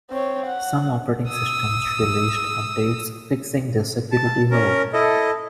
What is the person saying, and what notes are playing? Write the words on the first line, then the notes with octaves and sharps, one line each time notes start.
Some operating systems released updates fixing this security hole.
C4 C#5
F#5
D#6 E6
A5
C#4 A#4
E4 A4 D#5